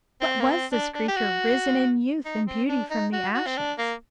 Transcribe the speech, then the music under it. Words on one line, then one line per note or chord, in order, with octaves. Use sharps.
What was this creature risen in youth and beauty from the ashes?
C4
A#3
C4
D4
D4
G4
F#4
D#4
C4
D4
D#4
F#4
F#4
C4
D4
A#3